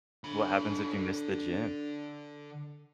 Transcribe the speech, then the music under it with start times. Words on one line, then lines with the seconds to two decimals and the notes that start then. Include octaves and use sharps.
What happens if you miss the gym?
0.24 D3 B5